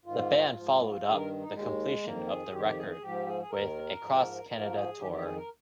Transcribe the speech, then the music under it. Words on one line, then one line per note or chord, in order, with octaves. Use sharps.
The band followed up the completion of the record with a cross-Canada tour.
G#2 D#3 F4
G#2 F3
G2 D#3 G#4
A#4
D#4
D#2 D#3 G#3
F2 D#3 A#3
G#4
F2 D#3 G4
G4
G#4
G#4
G#2 F3 G4
G#4
G#4
D#2 D#3 A#4
G#2 F3
G#2 F3 A#4
G#4
F2 D#3 G4
G4
G#4
A#4